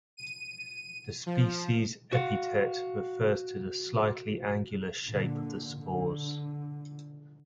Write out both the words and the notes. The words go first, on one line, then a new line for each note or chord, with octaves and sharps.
The species epithet refers to the slightly angular shape of the spores.
D#7
F3
F#4 F5 F#5
A#2 D3
D3